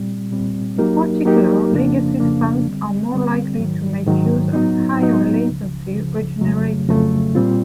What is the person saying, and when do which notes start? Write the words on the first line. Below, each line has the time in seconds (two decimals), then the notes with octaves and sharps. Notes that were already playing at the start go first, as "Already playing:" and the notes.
In particular, legacy spans are more likely to make use of higher latency regenerators.
Already playing: A#2 G3 C4
0.31 A#2 G3 C4
0.78 F#3 A#3 D#4 G4 A#4
1.25 F#3 A#3 D#4 G4 A#4
1.72 F2 C#3 F3 A#3 D4
2.20 F2 C#3 F3 A#3 D4
2.66 D3 G3 C4
3.13 D3 G3 C4
3.59 G#2 D#3 F#3
4.06 G#2 D#3 F#3
4.53 A2 F#3 B3 D#4
5.00 A2 F#3 B3 D#4
5.48 C#2 C#3 F3
5.95 C#2 C#3 F3
6.41 F2 C#3 F#3 A3
6.88 F2 C#3 F#3 A3
7.35 A#2 G3 C4 F4